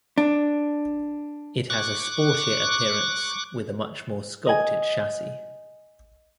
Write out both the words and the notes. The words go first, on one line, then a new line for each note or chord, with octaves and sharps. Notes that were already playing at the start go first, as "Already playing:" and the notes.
It has a sportier appearance, with a much more 'sculpted' chassis.
D4
C#6 D6 F#6
D#5 G#5